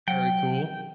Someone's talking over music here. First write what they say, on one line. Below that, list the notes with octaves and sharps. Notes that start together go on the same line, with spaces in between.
Very cool.
F#3 F#5 G5